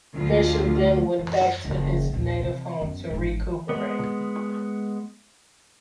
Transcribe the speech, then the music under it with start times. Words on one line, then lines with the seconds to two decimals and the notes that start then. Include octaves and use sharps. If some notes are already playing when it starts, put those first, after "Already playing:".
Vischer then went back to his native home to recuperate.
0.15 D2 F4
1.19 F#2
1.64 F#1
2.12 A#1 D#2
2.42 C3
2.81 F#2 B3
3.11 G#1 G#2
3.69 G#3 B3